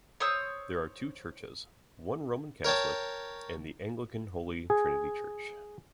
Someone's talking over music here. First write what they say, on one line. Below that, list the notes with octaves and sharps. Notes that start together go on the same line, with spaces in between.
There are two churches, one Roman Catholic, and the Anglican Holy Trinity Church.
C5 C#5 D#6 E6
A#4 C#5 G5 A5
G#4